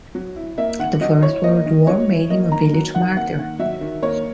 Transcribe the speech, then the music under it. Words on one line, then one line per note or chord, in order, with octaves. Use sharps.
The First World War made him a village martyr.
F#3
E4
A#3 E5
D#3 F#5
F#3 D#5
E4 C#5
A#3 D#5
D#3
F#3 C#5
E4
A#3 D#5
D#3 A#5
F#3
D#3 F#5
A#3 F#5
D#3
F#3 E5
D#3
A#3 C#5